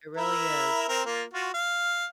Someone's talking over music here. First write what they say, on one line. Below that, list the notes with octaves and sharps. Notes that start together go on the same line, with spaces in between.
It really is.
E4 A#4 E5
C4 A#4
A#3 F4 A#4
F4 F#4
F5